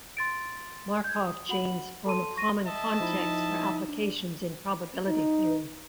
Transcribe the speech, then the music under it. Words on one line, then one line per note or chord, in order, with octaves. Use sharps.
Markov chains form a common context for applications in probability theory.
C6 A6 D7
G6 G#6
D#6
F#4 F#5 B5 F#7
A4 A5 C6 D#7
C#6 A#6 D#7
D#5 E5 A5
F3 D#4 E4
D4
D#4